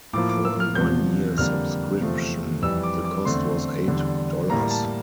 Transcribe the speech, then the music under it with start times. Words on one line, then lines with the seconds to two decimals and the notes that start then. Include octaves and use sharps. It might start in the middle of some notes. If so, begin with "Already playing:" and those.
For a one-year subscription, the cost was eight dollars.
0.13 A2 F3 A#3 D6
0.29 D6
0.45 E6
0.60 F6
0.75 E2 C3 F3 G6
1.38 F2 D3 G3 A#3 F6
2.01 E2 C3 F3 A3 C4
2.62 F2 E3 G3 C4 E6
2.83 D6
3.05 D6
3.25 E2 D3 A3 C4 C6
3.87 E2 D3 G3
4.50 A2 G3 A#3 A#5
4.71 A5